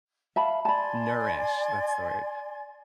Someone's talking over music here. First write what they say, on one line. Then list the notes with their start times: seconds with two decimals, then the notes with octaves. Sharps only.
nourish, that's the word,
0.36 E5 F5 A5 B5
0.65 D5 G#5 A5 B5 C6